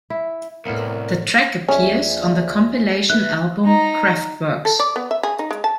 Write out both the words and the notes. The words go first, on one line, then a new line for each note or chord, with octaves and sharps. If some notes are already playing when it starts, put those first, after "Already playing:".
The track appears on the compilation album "Kraftworks".
E4
C2 A2 B3 A#4 F5
D#2 F3 C#4 G#4 D5 E5
B4 E5 F#6
D#4 A#5
A4
D5
B3
E5
G#4
D#4
G#3
A5